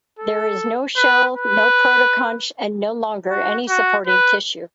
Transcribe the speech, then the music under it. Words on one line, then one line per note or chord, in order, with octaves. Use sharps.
There is no shell, no protoconch and no longer any supporting tissue.
A4
B4
B4
F#4
F#4
B4